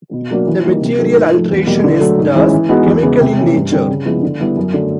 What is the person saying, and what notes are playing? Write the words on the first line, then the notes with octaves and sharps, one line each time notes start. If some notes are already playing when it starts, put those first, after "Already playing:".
The material alteration is thus chemical in nature.
B2
F#3 A#3 D4 F#4
E3
G3 A#3 D#4
C3
D#3 F#3 A3
G#2
F3 A3
E2
B2 G3 A#3
D3
F#3 A3
G#2
E3 G#3 C#4 E4
E3
G#3 B3 D#4 F#4
E2
C#3 E3 G#3 B3
C3
E3 A3 C#4
G2
D3 G3 C4
C#3
F3 G#3 B3 E4
D3
G3 B3 E4
F#2
D3 F#3 A3